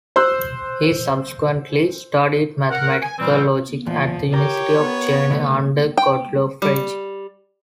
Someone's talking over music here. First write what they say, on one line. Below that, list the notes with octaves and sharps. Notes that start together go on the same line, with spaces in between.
He subsequently studied mathematical logic at the University of Jena under Gottlob Frege.
C5 C6 E6 F#6
A#4 F#5
G#5
A#2 E3 G3 C4
E2 A#2 F3
G4 A#4 C#5
B3
B2 D3 A3
G5
G3